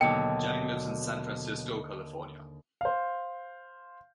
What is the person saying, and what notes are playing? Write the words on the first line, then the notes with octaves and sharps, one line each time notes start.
Jang lives in San Francisco, California.
D#2 B2 D3 F#3 D#5 G5 A5 D6
C5 F5